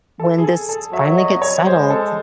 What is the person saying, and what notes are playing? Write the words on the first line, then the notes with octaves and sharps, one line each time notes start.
when this finally gets settled,
A4
G#4
A4
A4
F#3 E5
E5
D#5
C#5
G#3 C5
A4